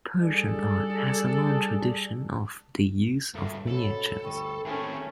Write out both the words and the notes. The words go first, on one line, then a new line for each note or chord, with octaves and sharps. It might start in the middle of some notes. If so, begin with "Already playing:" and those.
Persian art has a long tradition of the use of miniatures.
G3 D4 G#4 A4 D5
C#2 G2 D3 A4 E5
G#2 B2 C#4 A4 C#5 B5
G1 D2 D#5 G5 B5 C#6
D#3 G#3 A3 C4 C#4 G#4